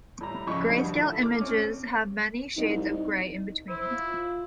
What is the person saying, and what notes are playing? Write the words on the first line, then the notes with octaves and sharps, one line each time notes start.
Grayscale images have many shades of gray in between.
A2 G3 A#5
F2 A2 C#3 G#3 B5 C#6
A#1 D#2 D3 F#3 G3
E4 A4
D6 F6
C4 C#4
C2 D#4
E4 C5
F4